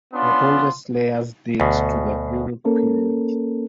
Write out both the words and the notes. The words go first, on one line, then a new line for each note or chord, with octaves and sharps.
The oldest layers date to the Uruk period.
B3 C#4 D4 F4 C6
D2 B2
A#3 C#4 A4 A#4